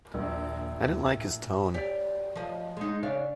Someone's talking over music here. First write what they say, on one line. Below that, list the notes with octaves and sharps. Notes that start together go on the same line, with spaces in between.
I didn't like his tone.
A#1 D#2
D#2
A2
G4 D5
F3 D#5
G#3 D#4
C#3 D4 F5